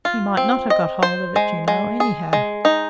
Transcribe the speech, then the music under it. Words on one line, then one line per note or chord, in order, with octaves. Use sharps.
He might not have got hold of it, you know, anyhow.
F4
C4
D#5
C5
G#3
G#3
G#4
G#3
D#4